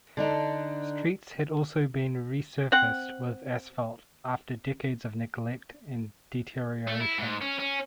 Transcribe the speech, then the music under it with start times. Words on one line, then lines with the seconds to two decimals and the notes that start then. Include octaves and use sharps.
Streets had also been resurfaced with asphalt after decades of neglect and deterioration.
0.17 D3 D4 D#4
2.72 C4 F#5
6.88 A3
7.01 E4
7.19 G#2
7.42 C#4
7.60 C#4